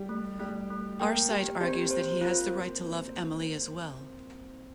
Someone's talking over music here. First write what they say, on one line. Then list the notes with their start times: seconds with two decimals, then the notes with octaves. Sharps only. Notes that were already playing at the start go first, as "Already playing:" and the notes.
Arcite argues that he has the right to love Emily as well.
Already playing: G3 G4
0.09 A3
0.39 G3 A3 G4
0.70 A3
1.00 A#3 A#4 G5
1.31 G4
1.61 C4 G4 C5
1.91 C5
2.21 F4